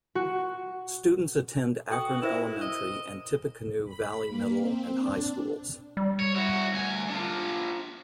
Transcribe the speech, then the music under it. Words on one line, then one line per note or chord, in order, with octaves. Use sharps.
Students attend Akron Elementary and Tippecanoe Valley Middle and High Schools.
F#4
F#4 A4 G5 D#6
E4 A#4 C5 E5
D#5
B5
A#3
C4
D4
G3
C#5
E4 F#4
D2 G#5
D4 F4